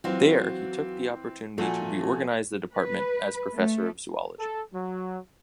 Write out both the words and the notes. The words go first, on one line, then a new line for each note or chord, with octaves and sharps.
There, he took the opportunity to reorganize the department as professor of zoology.
E3 F#3 C4 F4 F#4
A#2 F3 A3 F#4 A4 G#5
B4
A3
A4
F#3